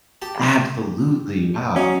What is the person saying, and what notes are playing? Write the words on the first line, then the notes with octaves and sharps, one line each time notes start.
Absolutely, wow.
G4 A5
F#3 C#4 D#4